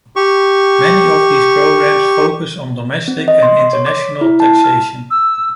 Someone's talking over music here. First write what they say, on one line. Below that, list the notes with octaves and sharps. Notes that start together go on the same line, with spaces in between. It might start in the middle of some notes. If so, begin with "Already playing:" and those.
Many of these programs focus on domestic and international taxation.
G4 C#6
C4
D#5
C6
C6
C#5
D6
B6
E4
A5
F6
E6